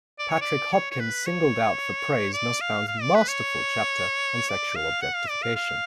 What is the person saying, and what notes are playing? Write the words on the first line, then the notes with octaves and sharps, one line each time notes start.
Patrick Hopkins singled out for praise Nussbaum's "masterful" chapter on sexual objectification.
D5
C#5
D5
C#5
C#5
B4
C#5
D5
F5
F5
D5
B4
C#5
D5
F5
F#5
F5
D5
F5
F5